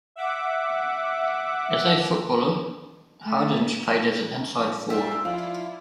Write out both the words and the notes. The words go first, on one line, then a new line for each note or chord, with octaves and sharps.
As a footballer, Hardinge played as an inside forward.
E5 F#5 D6
A3
F4 C5 D5 E5
F3 E4 F4 D5 F5